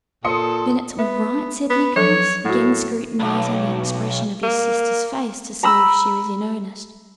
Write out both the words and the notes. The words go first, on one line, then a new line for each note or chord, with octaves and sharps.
"Then it's all right?" said Nicholas, again scrutinizing the expression of his sister's face to see if she was in earnest.
A#2 A4 C6 D#6 C#7
B3 E5
B3
F3 F#3 A4 C#5
A2 F#4 F#5
B1 F2
A#3
A#5 B5 E6